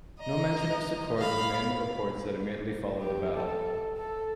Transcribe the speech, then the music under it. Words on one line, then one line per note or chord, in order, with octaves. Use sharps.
No mention of Secord was made in reports that immediately followed the battle.
D#5 A#5
F5 B5
G4
A4
A4